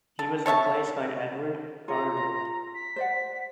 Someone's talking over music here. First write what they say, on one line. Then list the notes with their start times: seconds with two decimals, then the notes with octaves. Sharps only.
He was replaced by Edward Hardwicke.
0.19 A4
0.46 A4 C#5 E5 A5
1.88 F4 G#4 C#5 A#5
2.17 F4
2.75 B6
2.96 C5 D5 F#5